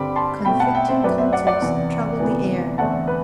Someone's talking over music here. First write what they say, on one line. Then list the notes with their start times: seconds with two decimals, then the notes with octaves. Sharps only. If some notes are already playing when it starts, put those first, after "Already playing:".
Conflicting counsels troubled the air.
Already playing: G2 D3 G3 C4 B5 D6
0.16 A5 C6
0.45 B2 A3 C4 G5 B5
0.60 F#5 A5
0.75 E5 G5
0.89 C5 E5
1.03 F#2 F#3 A3 C4 B4 D5
1.18 C5 E5
1.33 D5 F#5
1.47 D5 F#5
1.61 E2 C3 E3
2.20 D2 C3 E3 B3
2.78 E2 D3 A3 C4 F#5 A5
3.08 B4